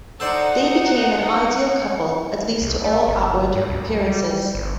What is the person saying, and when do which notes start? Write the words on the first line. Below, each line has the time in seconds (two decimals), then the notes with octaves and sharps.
They become an ideal couple, at least to all outward appearances.
0.20 D#4 A4 C5 D5 F#5
2.61 C2
2.84 A3
3.07 G1
3.55 G2
3.70 C#2
4.06 G3
4.55 G1